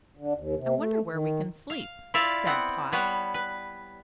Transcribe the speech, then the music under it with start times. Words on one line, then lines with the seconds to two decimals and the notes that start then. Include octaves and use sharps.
"I wonder where we can sleep," said Tot.
0.17 D3
0.35 D#2
0.57 C3
0.76 A3
1.11 D#3
1.70 F5
2.14 E4 F4 D5 E5 F5
2.46 B3 C4 F#5
2.92 G3 B3 B4 C#5
3.34 B4